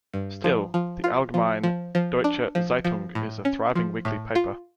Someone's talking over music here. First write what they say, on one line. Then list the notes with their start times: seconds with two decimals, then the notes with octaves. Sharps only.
Still, the "Allgemeine Deutsche Zeitung" is a thriving weekly paper.
0.14 G2
0.44 F3
0.74 F3
1.04 F4
1.34 F3
1.64 F3
1.95 F3
2.24 D4
2.55 F3
2.85 F3
3.15 A2
3.45 C#4
3.75 F3
4.05 A2
4.35 F4